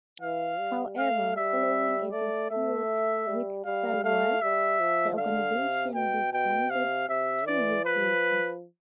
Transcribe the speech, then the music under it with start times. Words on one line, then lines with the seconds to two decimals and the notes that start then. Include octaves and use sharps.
However, following a dispute with Falwell, the organization disbanded two years later.
0.21 E3 F5
0.59 G3
0.97 A3 F5
1.36 G3 E5
2.12 A3 D5
2.50 A3 E5
3.27 G3
3.65 G3 F5
4.04 A3 F5
4.42 G3 E5
4.80 F3
5.18 D3 F5
5.56 C3
5.94 B2 G5
6.32 B2 G5
6.70 C3 F5
7.08 C3 E5
7.47 E3 D5
7.85 F3 B4